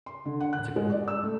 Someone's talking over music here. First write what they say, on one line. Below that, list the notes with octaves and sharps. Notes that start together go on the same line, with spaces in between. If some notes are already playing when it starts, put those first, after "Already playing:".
That's a good one.
C6
D3
F#5
F#6
G#3
D5
E6
A3